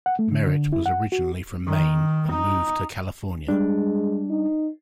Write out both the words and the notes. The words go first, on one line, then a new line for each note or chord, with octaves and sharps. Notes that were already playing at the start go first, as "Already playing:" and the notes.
Merritt was originally from Maine and moved to California.
F#5
A3
D3
D3
E4
F#5
F#4
D#3
D#4
G3 G#3 D4
D#4